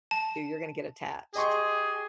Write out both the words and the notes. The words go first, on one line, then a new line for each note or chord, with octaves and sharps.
you you're gonna get attached.
A5
G4 G#4 D#5 C6 C#6